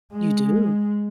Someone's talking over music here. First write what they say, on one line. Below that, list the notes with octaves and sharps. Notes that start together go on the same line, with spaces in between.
You do.
G#3